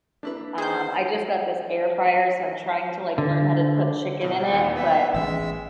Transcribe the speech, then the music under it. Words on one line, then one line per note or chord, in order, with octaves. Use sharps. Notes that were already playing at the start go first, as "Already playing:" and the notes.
um, I just got this air fryer, so I'm trying to, like, learn how to put chicken in it, but
A#3 D4 E4 B4
G#4 C5 G6
D3
B2 C4 E4
D#2 A#2
B3 B4 E5
A1 E3 G#3 C#4 E5 E6